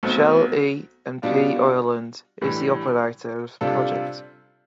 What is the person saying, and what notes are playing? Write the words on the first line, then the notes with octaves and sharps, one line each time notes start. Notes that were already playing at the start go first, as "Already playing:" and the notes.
Shell E and P Ireland is the operator of the project.
B1 B2 A3 C4
B2 G3 D4 F4
A2 E3 G3 D4
C3 G3 D4 F4 A4